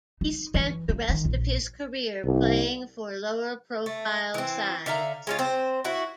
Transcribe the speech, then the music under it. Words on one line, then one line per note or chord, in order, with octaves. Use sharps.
He spent the rest of his career playing for lower profile sides.
D#4
E3
A#3
D#3
A#1
C2
A3
E3 C4
D3 E5 F5 A#5
G#3 C#4 F4
C4 C5
E4 F#4